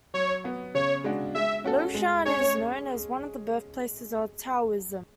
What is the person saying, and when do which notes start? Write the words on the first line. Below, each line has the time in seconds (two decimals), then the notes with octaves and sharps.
Laoshan is known as one of the birthplaces of Taoism.
0.14 F#3 C#5
0.44 B3 F#4
0.75 C#3 C#5
1.04 G#3 D4 F#4
1.35 G#3 E5
1.64 C#4 F#4 A4
1.95 G#3
2.25 C#4 G#4 C#5